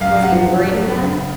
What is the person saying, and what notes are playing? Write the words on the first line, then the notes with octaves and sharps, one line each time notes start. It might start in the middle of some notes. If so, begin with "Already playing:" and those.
"Was he liberated, then?"
F#2 F5
F#2
F#5
F3
F3
F#2
F#2
C#3